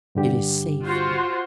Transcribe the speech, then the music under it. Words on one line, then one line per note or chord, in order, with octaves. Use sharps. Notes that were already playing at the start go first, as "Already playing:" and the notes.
It is safe here.
G2 D3 G4
F4 F#4 C5